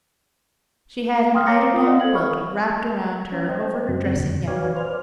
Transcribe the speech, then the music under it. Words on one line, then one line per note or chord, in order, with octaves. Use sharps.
She had an eiderdown quilt wrapped around her over her dressing-gown.
G5 C6 D#6 F6
C#5 F5 A#5 D6 A#6 C#7
F4 A#4 D#6
D5 D#5 F5 F#5 D#6
A4 C5 G#6 F#7
B5 C#6 F6
C#4
C5 D#5 G5
F#2 C#3 F#3 C4
F2 A#2 D3
F#4 B4 C#5 D5 F5 G#5
B4 C5 D5 F6